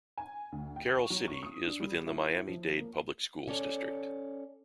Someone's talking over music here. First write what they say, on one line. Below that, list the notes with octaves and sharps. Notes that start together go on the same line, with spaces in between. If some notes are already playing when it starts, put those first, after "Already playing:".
Carol City is within the Miami-Dade Public Schools district.
G#5
D2
G5
C#6
F#3
C#6
D#6
D4
G3
E4
F3
A#3
C#4 A4 D5